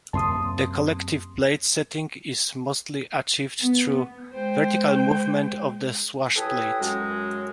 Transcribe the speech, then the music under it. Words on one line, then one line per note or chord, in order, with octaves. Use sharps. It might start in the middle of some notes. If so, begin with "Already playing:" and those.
The collective blade setting is mostly achieved through vertical movement of the swashplate.
F#2 C3 A#3 A5 C6 D#6
B3
G#3 C5 G5
A2 G4 A4 B4 G#5 D#6
F#2 G#3